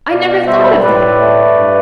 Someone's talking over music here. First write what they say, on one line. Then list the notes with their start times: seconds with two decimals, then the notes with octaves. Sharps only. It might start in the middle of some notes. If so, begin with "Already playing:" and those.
I never thought of that!
0.10 B2 D5 F5
0.28 D5 F5
0.47 G3 C5 E5
0.82 A2 B4 D5
1.18 A3
1.55 G2